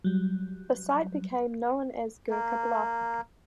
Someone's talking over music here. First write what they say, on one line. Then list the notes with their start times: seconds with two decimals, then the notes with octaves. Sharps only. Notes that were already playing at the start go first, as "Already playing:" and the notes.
The site became known as 'Gurkha Bluff'.
0.04 F#3 G3
2.30 A#3